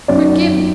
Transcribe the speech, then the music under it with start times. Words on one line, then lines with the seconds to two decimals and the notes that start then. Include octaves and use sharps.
Forgive me!
0.08 F#2 D#3 F#3 D5